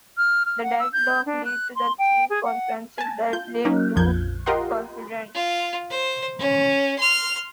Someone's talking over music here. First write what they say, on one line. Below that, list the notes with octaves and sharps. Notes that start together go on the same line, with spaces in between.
The deadlock lead to the three conferences that lead to confederation.
F6
F6
F#5
E6
G6
D4
F#6
C6
G5
G#4
F#5
G#5 A5
F4 G6
F#3 A#3 C#4 D#4
A#1 F2 F3 G6 G#6
F4 G4 A#4 D#5 F#5 C6
F4
C5
C#4
C6 F6